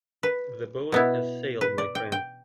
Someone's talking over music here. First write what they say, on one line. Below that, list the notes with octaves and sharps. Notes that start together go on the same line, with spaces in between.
That boat has sailed, my friend.
B4
B2 B3 E4
B4
D5
G5
G5